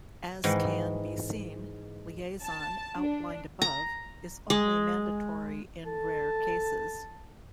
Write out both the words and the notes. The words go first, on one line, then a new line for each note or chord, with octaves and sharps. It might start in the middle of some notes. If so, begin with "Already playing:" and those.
As can be seen, liaison, outlined above, is only mandatory in rare cases.
G#2 D#3 E3 G#3
A5
D4
A#5
G#3
A4 A5